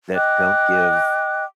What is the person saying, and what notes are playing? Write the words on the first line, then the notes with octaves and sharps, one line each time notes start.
that don't give
D#5 G5 D6 F#6